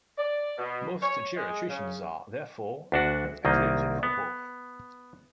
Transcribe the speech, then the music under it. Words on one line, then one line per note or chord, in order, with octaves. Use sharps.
Most geriatricians are, therefore, accredited for both.
D5
B2
C#5
G#3
C#3
D2 D4 F#4
C2 D#3 A#3 D#5
B3